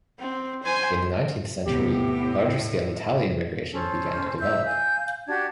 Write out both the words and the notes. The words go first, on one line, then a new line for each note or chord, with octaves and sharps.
In the nineteenth century, larger scale Italian immigration began to develop.
C4
C5 G#5
E2 A2 C3 B3 G4
C#4 A4 C5
E5 E6 G6
F5 G#5 G6
D4 F#4 G4 G#6